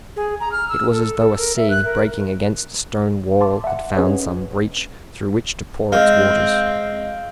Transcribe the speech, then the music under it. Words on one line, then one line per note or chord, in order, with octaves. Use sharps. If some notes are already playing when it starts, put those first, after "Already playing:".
It was as though a sea, breaking against a stone wall, had found some breach through which to pour its waters.
G#4
A#5
F6
E6
A4
A4
A#4
E5
F#6
A#4
A5 C6 D6
E5 F#5
C#4 G#4 B4 C#5 D#5
G#3 C4 F5